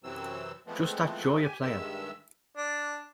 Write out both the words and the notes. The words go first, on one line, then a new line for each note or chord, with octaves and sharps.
Just that joy of playing.
F#2 C3 E3 F#3 C4 E6
E3 F3 G#3 A3 B3 C4
G4 G#5
G2 D#3 G#3 E5 E6
D4